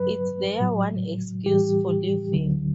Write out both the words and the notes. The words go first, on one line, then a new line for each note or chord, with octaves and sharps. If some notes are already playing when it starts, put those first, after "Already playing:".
It's their one excuse for living.
Already playing: G2 F#3 B4
A2 F#3
A2 E3 G3 G4
D2 D3 F#3